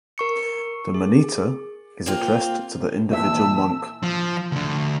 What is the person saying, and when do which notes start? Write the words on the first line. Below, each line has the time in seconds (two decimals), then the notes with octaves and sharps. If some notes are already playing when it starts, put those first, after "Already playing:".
The "Monita" is addressed to the individual monk.
0.18 A#4 C#6 C#7
0.94 G#4
2.06 A#3 C4 F4
3.13 A#2 E3 E5 A5 E6
4.03 F3
4.52 D2 D3